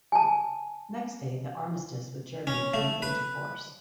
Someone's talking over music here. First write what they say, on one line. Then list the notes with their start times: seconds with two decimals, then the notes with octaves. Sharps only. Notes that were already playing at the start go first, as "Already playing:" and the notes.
Next day the Armistice with Germany came into force.
0.12 G#5 A5
2.47 C#4
2.74 A3
3.02 B4